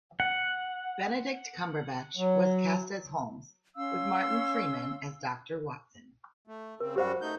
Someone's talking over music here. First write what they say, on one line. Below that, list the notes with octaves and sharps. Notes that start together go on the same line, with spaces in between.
Benedict Cumberbatch was cast as Holmes, with Martin Freeman as Doctor Watson.
F#5
F#3
C#4 F5 C6 E6
A3
C#3 C4 A#4
F#2 G3 F#4 G4 C5 F#5
A3 D#4 G6